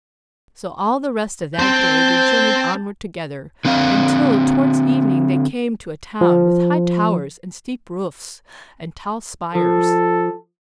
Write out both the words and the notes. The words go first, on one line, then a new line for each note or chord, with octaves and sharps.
So all the rest of that day they journeyed onward together, until, towards evening, they came to a town with high towers and steep roofs and tall spires.
C4 C5 A5 G6
D3 C4 F5
F3
F3 A4